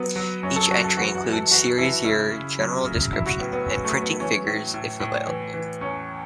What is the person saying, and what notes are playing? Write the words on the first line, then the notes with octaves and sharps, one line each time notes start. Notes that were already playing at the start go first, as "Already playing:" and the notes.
Each entry includes: series year, general description, and printing figures if available.
Already playing: F#3 B3
F#3
F#2 C#4
A4
F#2 F#4
A4
E3 F#4
F#4
E3
A4
E3 F#4
E3 E4
C#3 E4
C#3
F#3
C#3
F#3 E4
F#4
A2 B3
B3
F#3 C#4
A3
F#3
B3
E3 C#4
A2
A2
A2
E3
E3
E2 C#4